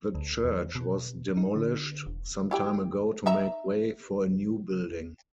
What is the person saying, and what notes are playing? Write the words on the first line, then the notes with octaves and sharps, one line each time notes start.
The church was demolished some time ago to make way for a new building.
D2
E2
B2
D#4
D3
E1
E4 G4 G5
D#4 E5 A#5